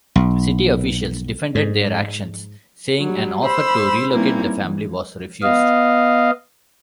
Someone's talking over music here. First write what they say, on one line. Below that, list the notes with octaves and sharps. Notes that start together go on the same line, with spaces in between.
City officials defended their actions, saying an offer to relocate the family was refused.
B1
G#2
F#3 G3
C5 B5 E6
G3 A#3 C4 C#4 D#4 E4
E3
B3 D#5 F5